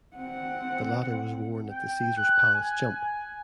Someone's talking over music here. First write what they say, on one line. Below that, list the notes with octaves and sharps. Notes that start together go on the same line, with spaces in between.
The latter was worn at the Caesars Palace jump.
C4 F#5
G5
F#6
G#5
G#5